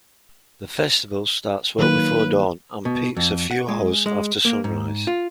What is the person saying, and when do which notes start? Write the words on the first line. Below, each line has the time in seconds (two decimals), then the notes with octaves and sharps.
The festival starts well before dawn and peaks a few hours after sunrise.
1.79 D#3 F#3 A#3 B4
2.85 B2
3.17 F2
3.51 F#5
3.68 G#3
4.06 G#3
4.45 A#3
4.64 G#2
5.07 F4